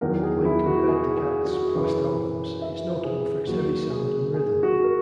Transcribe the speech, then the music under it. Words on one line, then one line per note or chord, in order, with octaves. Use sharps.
When compared to Gackt's past albums, it's notable for its heavy sound and rhythm.
E2 D#3 F#3 A#4
G#4
E4
F#4
G#4
G#4
F#4
F#2 C#3 E3 B4
E5
G#4
D#2 D#3 F#3 F#4
G#4
G#4
F#4
A#4